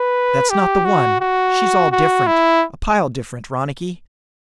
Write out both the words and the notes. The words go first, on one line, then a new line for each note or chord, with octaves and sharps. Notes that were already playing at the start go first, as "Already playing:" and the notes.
"That's not the one. She's all different, a pile different, Ronicky."
Already playing: B4
G4
F#4
F#4
F#4
E4